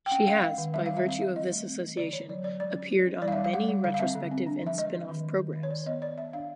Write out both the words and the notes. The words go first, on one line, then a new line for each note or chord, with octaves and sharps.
She has, by virtue of this association, appeared on many retrospective and spin-off programmes.
G5
C#4 F#5
C#4 F5
G#3 F5
D#3
G3 E5
G3 F5
E5
C4 F5
G3 E5
C4 D#5
A3
C4
E3
D3 D5
D3 C#5
F#3 D5
D3 D5
G#3 D5
C#4
G#3
C#4
G3 D5
F5
E5
G3
F5
G3 F#5
G3
D3 F5
F5
C4 E5
D3
C4
D4
F3 E5
G#3 D#5
F3
D#3
D#3
D#3
D#3
C#5
D#3 D5
B3 D#5
B3 D5
B3 E5
D4 F5